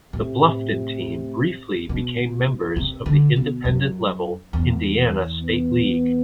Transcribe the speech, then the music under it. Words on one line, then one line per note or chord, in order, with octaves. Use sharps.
The Bluffton team briefly became members of the Independent level Indiana State League.
A2 C3
B2
C3
D3
B2
F#2
E2
B3